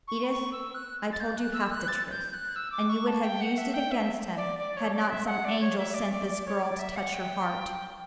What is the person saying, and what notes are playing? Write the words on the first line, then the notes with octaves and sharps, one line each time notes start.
Edith, I told you half the truth, and you would have used it against him had not some angel sent this girl to touch your heart.
C#6
B5
C#6
E6
F#6
A6
G6
F#6
E6
F#6
A6
G6
F#6
E6
D6
C#6
A5
G5
F#5
E5
G5
E5
D5
D5
C#5
D5
E5
F#5
D5
C#5
E5
D5
D5
D5
C#5
D5
E5
F#5
G5